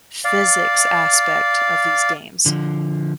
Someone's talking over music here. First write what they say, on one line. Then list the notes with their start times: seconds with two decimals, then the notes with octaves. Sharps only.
physics aspect of these games.
0.25 D5 F5
2.46 D3 F3